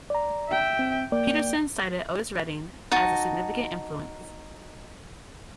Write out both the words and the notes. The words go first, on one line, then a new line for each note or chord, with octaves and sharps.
Peterson cited Otis Redding as a significant influence.
D5 A#5
E5 G5
C4
A#3 D5 G5
D#4 F#4 A5